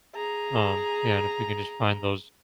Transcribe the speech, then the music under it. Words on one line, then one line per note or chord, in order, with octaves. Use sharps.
um, yeah, and if we can just find those,
G#4 A#5